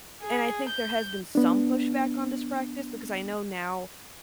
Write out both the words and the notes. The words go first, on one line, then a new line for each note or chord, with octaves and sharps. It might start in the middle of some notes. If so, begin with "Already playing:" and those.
And I think there has been some pushback on this practice because I know now
G#4
G6
B3 D4